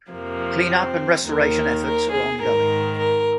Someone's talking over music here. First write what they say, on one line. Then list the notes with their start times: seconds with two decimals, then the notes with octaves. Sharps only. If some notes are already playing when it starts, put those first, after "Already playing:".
Cleanup and restoration efforts are ongoing.
0.11 F2 C3 F3 A#3
0.69 C4
1.25 D#2 D#3 A#4
1.83 A#4
2.11 G#4
2.41 G#2 D#3 A#4
2.98 A#4